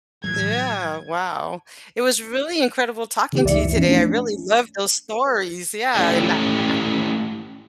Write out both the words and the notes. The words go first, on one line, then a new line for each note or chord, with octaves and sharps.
Yeah, wow. It was really incredible talking to you today, I really love those stories, yeah, and that tha
A2 E3 F#3 G#6
C#3 E3 A#3 D#4 G4
C#2 D5 E5 C#7
G2 E3
E3 F3 B3 C#4 D#4
A3 C#4 D4
A3 C#4 E4 G4 A4 D5